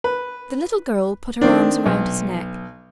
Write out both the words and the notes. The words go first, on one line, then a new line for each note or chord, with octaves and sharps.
The little girl put her arms around his neck.
B4
D#3 C4 D4
B1